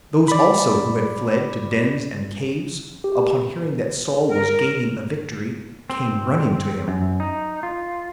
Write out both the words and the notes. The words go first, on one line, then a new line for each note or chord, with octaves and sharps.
Those also who had fled to dens and caves, upon hearing that Saul was gaining a victory, came running to him.
D5 B5
G4
A#4
C4
F#2
D#4
F4